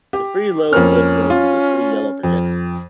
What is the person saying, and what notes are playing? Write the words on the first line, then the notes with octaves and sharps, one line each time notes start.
The three-lobed lip grows into three yellow projections.
G4
F2 A#3 C#4 F6
F4
F2